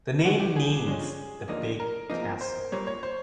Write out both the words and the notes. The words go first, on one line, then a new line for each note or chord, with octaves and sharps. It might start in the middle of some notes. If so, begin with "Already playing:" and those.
The name means "the big castle".
D3 F3 A3 F#4
G4
G#4
D3 F3 G#3 C#4
D#2 D3 F3 A#3 D#4
A#4
E2 C3 F3 A#3 D#4
C5
A#2 G3 A#3 C#5
C#5
C5